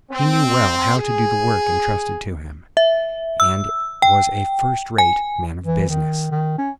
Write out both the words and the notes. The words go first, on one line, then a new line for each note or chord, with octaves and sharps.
He knew well how to do the work intrusted to him, and was a first-rate man of business.
C4
G#4
E5
E6
G5
G#5
E3
D#3
D#3
C#4